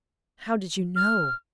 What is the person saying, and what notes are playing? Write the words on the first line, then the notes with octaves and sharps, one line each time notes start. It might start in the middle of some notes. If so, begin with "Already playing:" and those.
"How did you know?"
F6